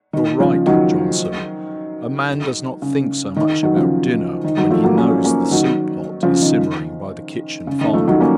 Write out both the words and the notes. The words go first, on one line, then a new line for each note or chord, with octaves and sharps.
"You're right, Johnson; a man does not think so much about dinner when he knows the soup-pot is simmering by the kitchen-fire."
D#3
C#3 F3
D#3 F#3
C#3
D#3
D#3 F#3
C#3 F3
D#3
D#3 F#3
F3 A3
F#3 A#3
A#3 C#4
A#3 C#4
D#3 F#3
C#3 F3
D#3
C#3
D#3
F3 A3
D#3 F#3
A#3 C#4